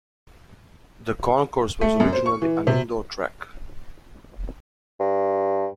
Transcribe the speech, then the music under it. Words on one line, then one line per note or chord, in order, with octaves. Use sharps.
The concourse was originally an indoor track.
A3
F#2
C5
C#6
E3
C3
G2